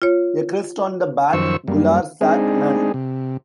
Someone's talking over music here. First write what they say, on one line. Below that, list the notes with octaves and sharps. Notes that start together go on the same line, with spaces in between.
A crest on the back; gular sac: none.
F4 C#5
F#2 D#3 F3 C5 C#6 E6
F#2 G3 A#3
G#3 C4 D4 D#4 G#4
C3